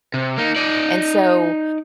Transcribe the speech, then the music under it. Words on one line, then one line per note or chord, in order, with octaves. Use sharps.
And so,
C3
A#3 D#4
D#4 D5